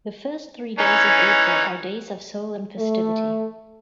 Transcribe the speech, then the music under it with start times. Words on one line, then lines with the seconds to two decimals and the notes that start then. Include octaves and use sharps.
The first three days of April are days of solemn festivity.
0.79 E3 C#4 D#4
2.78 A3